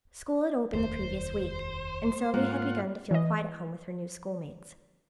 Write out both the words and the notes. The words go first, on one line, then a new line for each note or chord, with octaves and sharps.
School had opened the previous week, and Sylvia had begun to feel quite at home with her new schoolmates.
F1 D#2 C5
G#2 A#3 F4 F#5
E3 D#5